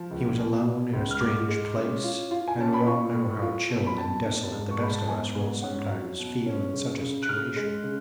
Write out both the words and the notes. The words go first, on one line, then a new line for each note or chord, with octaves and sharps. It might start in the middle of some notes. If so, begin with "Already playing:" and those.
He was alone in a strange place; and we all know how chilled and desolate the best of us will sometimes feel in such a situation.
Already playing: F3
C#2
B2
B2
C#2
F6
G#2 D6
G#3
C#4
F4
F4
G#5
C#4 A5
B5
F4 C#6
A2
F4
B2
B5
B2 A5
D4
G#2
C#6
G#2 B5
A5
B3 G#5
G#2
C#4 F#5
F#3
B2
C#4
C#3
C#3
F#6
C#3 F6
G#3
C#3